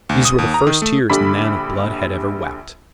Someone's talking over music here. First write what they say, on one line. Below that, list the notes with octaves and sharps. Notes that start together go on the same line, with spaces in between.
These were the first tears the man of blood had ever wept.
D2
D#6
D#2
A#5
D#3
A3
A#1 D3 G3 B5 D6 B6